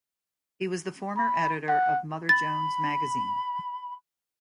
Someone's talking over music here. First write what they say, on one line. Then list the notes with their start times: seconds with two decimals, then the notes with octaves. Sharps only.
He was the former editor of Mother Jones Magazine.
1.17 B5
1.69 F#5
2.29 B5 A6